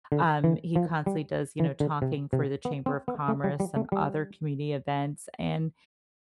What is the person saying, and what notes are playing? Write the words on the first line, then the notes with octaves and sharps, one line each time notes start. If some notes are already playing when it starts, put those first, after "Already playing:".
um, he constantly does, you know, talking for the Chamber of Commerce and other community events, and
D3
E3
F3
G3
E3
D3
C3
C3
B3
C4
B3
A3
G3
G3
A3
G3